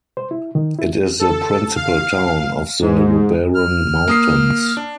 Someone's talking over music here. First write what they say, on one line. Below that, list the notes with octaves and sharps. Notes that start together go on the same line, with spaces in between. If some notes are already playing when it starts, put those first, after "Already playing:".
It is the principal town of the Luberon mountains.
C5
E4
D#3
E4
A4
F5
G#2
F6
A#3 D#6 C7
D4